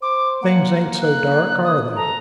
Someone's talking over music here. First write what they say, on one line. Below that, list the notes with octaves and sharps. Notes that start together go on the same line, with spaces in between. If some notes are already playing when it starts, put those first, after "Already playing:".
Things ain't so dark, are they?
C5 D6
A#3 F#5
F#6
D#6
A4 A#5